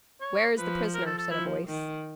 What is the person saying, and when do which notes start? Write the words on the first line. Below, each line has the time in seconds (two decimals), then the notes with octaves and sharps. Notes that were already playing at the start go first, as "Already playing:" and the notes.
"Where is the prisoner?" said a voice.
0.21 C#5
0.57 F3 B4
0.94 A#4
1.06 A4
1.18 A4
1.30 F3 E4
1.67 D#3